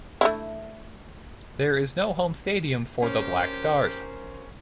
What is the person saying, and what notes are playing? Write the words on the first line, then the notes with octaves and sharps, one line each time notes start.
There is no home stadium for the Black Stars.
A3 D4 E4
C#4 G4 A#4 C5